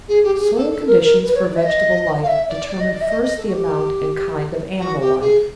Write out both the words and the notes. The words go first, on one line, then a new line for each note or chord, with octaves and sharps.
Soil conditions for vegetable life determine first the amount and kind of animal life.
G#4
G4
G4
G#4
A4
A4
A#4
A#4
B4
C#5
D5
E5
D#5
F5
E5
D5
D5
D#5
D5
E5
D#5
D#5
A4
F#4
G4
F#4
G4
G#4